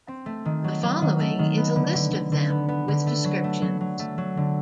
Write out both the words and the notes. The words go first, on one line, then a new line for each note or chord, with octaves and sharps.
The following is a list of them with descriptions.
C4
A3
D#3
F#3
F#3
D#3
A3
D#3
B3
D3
D3
D3
D3
B3
B3
D3
A3
F#3
A3
F#3
F#3
A3
F#3
D3